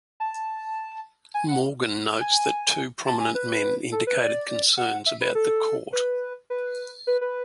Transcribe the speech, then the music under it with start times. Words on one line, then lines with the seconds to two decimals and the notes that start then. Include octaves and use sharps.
Morgan notes that two prominent men indicated concerns about the Court.
0.20 A5
1.34 G#5
1.48 F#5
2.21 G#5
3.06 A5
3.20 G#5
3.35 B4
3.92 A4
4.07 B4
4.21 D5
4.77 F#5
5.06 E5
5.21 B4
5.35 A4
5.93 B4
6.50 B4
7.07 B4
7.21 B4